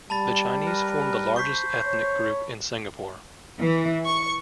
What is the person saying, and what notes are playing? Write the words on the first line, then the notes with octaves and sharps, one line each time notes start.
The Chinese form the largest ethnic group in Singapore.
G3 A5 B5 A6
A#4 B4
C5 C#6 B6
C#5
E3
C#6